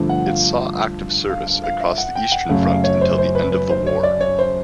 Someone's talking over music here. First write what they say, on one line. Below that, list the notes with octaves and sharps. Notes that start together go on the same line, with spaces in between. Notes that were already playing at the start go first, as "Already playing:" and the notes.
It saw active service across the Eastern Front until the end of the war.
Already playing: G2 D3 F3 A3
F#5
F5
F5
F5
F5
E5
F#5
G5
F#5
F#2 C#3 F#3 A3 F5
F5
C#5
C5
C5
B4
B4
C5
C#5
D5
C#5
C5